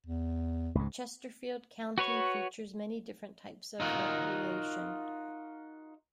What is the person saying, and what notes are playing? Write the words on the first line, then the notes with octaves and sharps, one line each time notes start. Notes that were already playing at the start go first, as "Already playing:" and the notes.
Chesterfield County features many different types of recreation.
E2
C#2 G#2
F#4 B4 C#5 C#6
D#4 F4 F#4 A#4